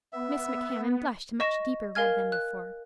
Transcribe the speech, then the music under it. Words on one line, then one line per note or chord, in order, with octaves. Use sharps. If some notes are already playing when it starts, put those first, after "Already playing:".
Miss Macmahon blushed a much deeper red than before.
B3 E5
D#5 C#6 A#6 E7
A#4 F5 G#5 F6 G#6
F#6